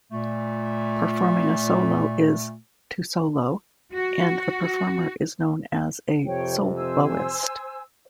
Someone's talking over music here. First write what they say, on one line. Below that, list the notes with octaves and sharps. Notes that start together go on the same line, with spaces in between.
Performing a solo is "to solo", and the performer is known as a "soloist".
A#2 A3
F#4
F2 C3 C#5 G5
C5 G#5 E6